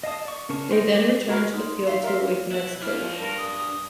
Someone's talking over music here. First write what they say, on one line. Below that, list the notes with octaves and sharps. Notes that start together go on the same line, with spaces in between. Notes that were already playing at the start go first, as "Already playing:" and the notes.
They then returned to the field to await the next coach.
D#5 F5 A5 D#6
D5 C#6
C#3 C#4 A#4 A5 C#6
C5 D#5 G5 C6 C#6
G3 G5 D6
F#4 A#4 B4
D#4 C6
E5 F5 C6
A#4 E5 C6
B2 E4 F#6
D4 E4 F5 F6
F3
G2 A#4
D#6